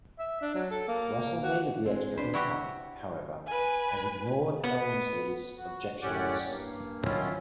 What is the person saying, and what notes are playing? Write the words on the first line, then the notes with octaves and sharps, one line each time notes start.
Russell needed the extra income, however, and ignored Elmsley's objections.
E5
D4
F#3
A4
A#3
F#4
G#3 C4 D4
A#3 D4 B4 C5
D4 E4 F#4 G4
B4 G#5
B3
F#4
F#2 A2 C#4 G4 D5 F#5
G2 A#3
D#3 F3 F#3 C#4 E4 F4